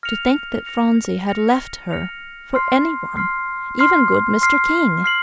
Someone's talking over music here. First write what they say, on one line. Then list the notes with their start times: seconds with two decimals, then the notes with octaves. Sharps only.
To think that Phronsie had left her for any one!--even good Mr. King!
0.03 F6 A#6 C#7 F7
0.66 F6 A#6 C#7 F7
1.28 F6 A#6 C#7 F7
1.91 F6 A#6 C#7 F7
2.54 C6 F6 C7
3.17 C6 F6 C7
3.79 C6 F6 C7
4.42 C6 F6 C7
5.04 F6 C7 F#7